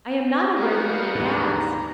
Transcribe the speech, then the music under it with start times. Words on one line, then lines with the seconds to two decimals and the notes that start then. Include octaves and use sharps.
"I am not aware that he has."
0.56 G3 G#3 B3 F#4 A#4 F5
1.15 D#2 G#2 A#5